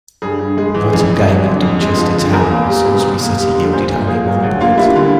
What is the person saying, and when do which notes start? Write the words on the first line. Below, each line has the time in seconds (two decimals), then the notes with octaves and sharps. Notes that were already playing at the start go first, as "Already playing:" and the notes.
Vital game at Dorchester Town and Salisbury City yielded only one point.
0.22 G2 G#4
0.39 G2
0.57 G#3 G#4
0.74 E3
0.92 F2 G#4
1.10 F2
1.28 F#3
1.45 D3
1.62 F2
1.81 G#3
1.97 F3
2.15 D3
2.32 E2 A#4
2.51 A#3
2.67 G3
2.86 B2
3.03 D#2
3.20 A#3
3.38 G3
3.55 D3
3.73 A#2 C5
3.90 A#2
4.07 A#3 G#4
4.26 F#3
4.43 D2 F#4
4.61 A#3 F4
4.77 G3 E4
4.96 D3 F4